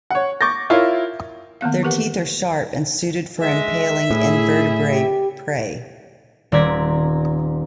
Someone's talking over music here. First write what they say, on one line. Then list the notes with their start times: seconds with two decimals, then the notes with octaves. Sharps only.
Their teeth are sharp and suited for impaling invertebrate prey.
0.10 C#5 F#5
0.41 C#6 D6 G6 A6 A#6
0.70 E4 F4 A#4 C#5
1.61 D#3 A#3 B3 F5
1.83 E3 G4 A#4 B4 F#5
3.40 G#3 E5
4.11 A2 E4 G#4
4.92 G4
6.52 D#1 C4 D5 A#5 G#6 B6